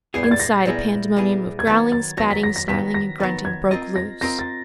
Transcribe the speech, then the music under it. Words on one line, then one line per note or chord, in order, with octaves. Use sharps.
Inside, a pandemonium of growling, spatting, snarling, and grunting broke loose.
A#2 G3 B3 E4 G#4 C7
G#6
A6
A#6
A#2 G3 B3 E4 G#4
A#2 G3 B3 E4 G#4
G#6
D#3 F#3 B3 A6
A6
D#3 F#3 B3 A#6
B6
A#6
A#6
D#3 F#3 B3 B6
A#6
D#3 F#3 B3 A6
G#6
C4 F4 A#4 D#5 A6
A#6
C4 F4 A#4 D#5 A#6
A6